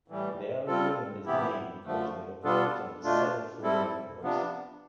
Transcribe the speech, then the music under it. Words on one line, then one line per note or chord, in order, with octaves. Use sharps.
They are given this name because they operate on the set of real numbers.
A2 E3 G3
G3 C4 F4 A4
C3 E3 B3 E4 G4
D3 F3 A3
G3 B3 D4 F4 A4
B2 A3 D4 F4
G3 C4 E4 A4
C3 F3 B3 D4